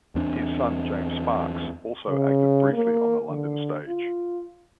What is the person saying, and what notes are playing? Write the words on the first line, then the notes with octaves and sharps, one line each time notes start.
His son James Sparks also acted briefly on the London stage.
E2 C4 D4
C#3
A#3
D3
F4